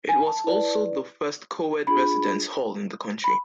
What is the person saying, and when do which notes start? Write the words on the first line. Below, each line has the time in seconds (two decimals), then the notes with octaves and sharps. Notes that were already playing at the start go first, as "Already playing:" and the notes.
It was also the first co-ed residence hall in the country.
0.09 G#5
0.27 A5
0.44 E4 B4 D5
1.87 D4 F4 G#4 B5
3.24 B5